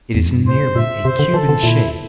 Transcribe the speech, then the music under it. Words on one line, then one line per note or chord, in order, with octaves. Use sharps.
It is nearly a cube in shape.
E2
F2
G2
A2 C5
A#2 E5
C3 C5
D3
E3 A4
D3
A#2 E4